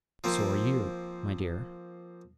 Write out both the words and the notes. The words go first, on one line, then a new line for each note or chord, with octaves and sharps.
So are you, my dear.
F3 A#3 C4